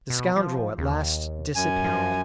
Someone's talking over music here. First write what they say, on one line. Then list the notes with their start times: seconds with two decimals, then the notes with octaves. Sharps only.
The scoundrel at last disappeared.
0.10 B2
0.36 F3
0.78 D#2
1.55 F#2 G#5
1.84 F3